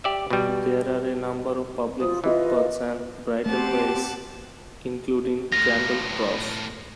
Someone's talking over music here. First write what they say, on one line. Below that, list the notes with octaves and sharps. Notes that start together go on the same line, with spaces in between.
There are a number of public footpaths and bridleways, including Cramble Cross.
G4 D5 E5
B2 G3
C2 F4 C5 D#6
E3 F4 B4 D#5
A3 C4 G4 F#5 A5
A2 F4 A#6